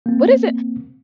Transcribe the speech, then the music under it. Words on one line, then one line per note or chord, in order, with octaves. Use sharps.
What is it
A#3 C4